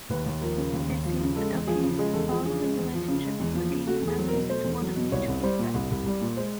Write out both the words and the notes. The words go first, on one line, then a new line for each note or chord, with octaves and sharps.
It seems that Ducky's fatherly relationship with McGee mellows into one of mutual respect.
D#2 B4
D#2
F3 A#4
C#3
D#2
D#2
F3
C#3
G#3 A4
E2
F3 G#4
C#3
G#3 G#4
E2 A4
F3 G#4
C#3 G#4
G#3
E2
F3
C#3
G#3
E2
F3
C#3
A3 F#4
E2
G#4
F#3
A#4
B2
A3 C5
E2
F#3
B2
C2 C#5
C2
G3 C5
A#2
C2
C2
G3
A#2
G#3 C5